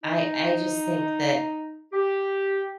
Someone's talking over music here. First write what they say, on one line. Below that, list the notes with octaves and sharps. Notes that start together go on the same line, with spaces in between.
I I just think that
D#4
G4